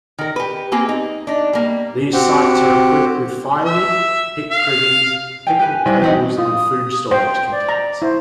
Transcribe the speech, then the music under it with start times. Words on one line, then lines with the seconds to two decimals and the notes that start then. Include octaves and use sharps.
These sites are equipped with firewood, pit privies, picnic tables and food storage containers.
0.18 D#3 A#4
0.36 G4 B4
0.72 A#3 C4 G4 G#4
0.89 D#4
1.27 D4 D#4
1.53 G3 A#3
2.13 C4 F#4 G4
3.65 E5
4.51 F5
5.47 G5 G#5
5.59 G4 B4 G#5
5.85 C2
6.02 E3 C4 D#4 G4 F#5
6.38 F4 D#6
7.11 C5 G5
7.52 D5
7.69 A#5
8.02 E4 C5